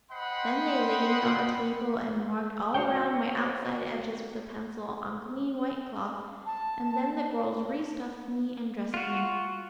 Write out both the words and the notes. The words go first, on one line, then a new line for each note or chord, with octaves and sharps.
Then they laid me on a table and marked all around my outside edges with a pencil on clean white cloth, and then the girls re-stuffed me and dressed me.
C5 D#5 F#5 G5 B5 C6
F#4 C5 C#5 G5
A5
F4 F#4